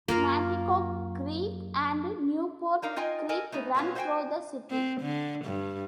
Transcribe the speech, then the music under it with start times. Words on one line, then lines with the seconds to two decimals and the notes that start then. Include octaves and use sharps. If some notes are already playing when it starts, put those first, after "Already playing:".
Nanticoke Creek and Newport Creek run through the city.
0.08 F#2 A#3 F4 A#4
2.82 D4 D#4 A#4 F5
2.96 D#4 F4 D#5 G5 G#5
3.29 A4 A#4 D#5 G#5
3.52 A3 B3 D#4
3.74 A#2 F#3 B3 C#4 F4
3.95 F#4 C5 E5 F5 G5 G#5
4.71 C4
5.01 D3
5.45 G2